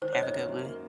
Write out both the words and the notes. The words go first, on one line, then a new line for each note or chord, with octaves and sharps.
Have a good one.
D#3 C5
C#5
F#2
D#5
A#3
F#2
A#3